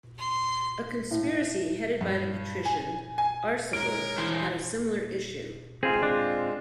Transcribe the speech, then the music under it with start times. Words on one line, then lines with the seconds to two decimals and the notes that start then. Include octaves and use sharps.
A conspiracy headed by the patrician Arsaber had a similar issue.
0.18 C6
1.11 A2
2.01 G2
2.65 G#5
3.18 G#5
3.73 G#3 A#4 C#5 D7
4.18 E3 C5
5.83 G#3 C4 F4 G#4
6.03 D4